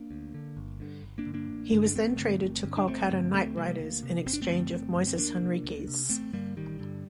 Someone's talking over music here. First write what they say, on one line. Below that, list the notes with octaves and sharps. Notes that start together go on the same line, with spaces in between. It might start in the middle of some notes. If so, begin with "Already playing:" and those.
He was then traded to Kolkata Knight Riders in exchange of Moises Henriques.
Already playing: A#3 D4
D2
D3
G1
G2 D3
G1
A#3 D4
G2 D3
A#3 D4
A1
G2 D3
D4
A1 A3 C4
G2 D3
G1
G2 D3
D4
G1 A3 C4
G2 D3
D2 A3 C4
C3 G3 A#3
D2
C3
G1 C4
D4
A3 C4
F#2 D3
G1
F#2 D3
C4
D2 A#3 D4
C3
D2
C3
A1 A3 C4
G2 D3 G3 A#3
A1 D#3 G3
G2 D3